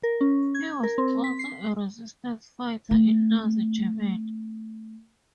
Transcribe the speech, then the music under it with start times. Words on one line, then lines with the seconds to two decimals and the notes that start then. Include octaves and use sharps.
He was also a resistance fighter in Nazi Germany.
0.03 A#4
0.21 C#4
0.55 G#6
0.83 A#4
0.98 C4
1.24 B6
1.39 C7
2.91 A3 C4